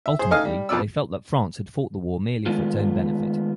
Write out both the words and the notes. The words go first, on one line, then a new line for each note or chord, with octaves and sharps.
Ultimately they felt that France had fought the war merely for its own benefit.
E5
G#4 C5
A3 D#4 D#5 F5 G#5 F6
G3
F2 B2 F4 D5 E6
D#3 G#3 A3 B3 F4